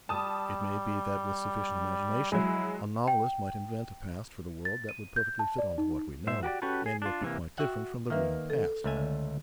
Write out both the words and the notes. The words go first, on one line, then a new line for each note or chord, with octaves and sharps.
It may be that, with sufficient imagination, a novelist might invent a past for the world that would perfectly fit on to what we know, and yet be quite different from the real past.
G3 A5 D#6
F#3 G#3 E4
G5
A6
D#7
G6
A5
D5
D#4
G#2 C5 E5
F#4 G4 A#4 D5
C#4 F#4 G4 A4 B4
G#4
D4 F4
C3 E3 A#3
F#4 E5 F#5 G5
D#3 A#3 B4 E5
A4
C#2 A3 G#5
D3